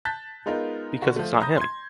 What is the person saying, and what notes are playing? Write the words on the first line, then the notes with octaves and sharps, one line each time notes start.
Because it's not him.
A5 F#6 G6 A6 B6
G#3 B3 D#4 F4 A#4
D3 F#4
F3 A3
A#5 B5 D#6 G6 A#6
C6 G#6